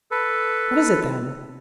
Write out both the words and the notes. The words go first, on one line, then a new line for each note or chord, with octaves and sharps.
"What is it then?"
A4 B4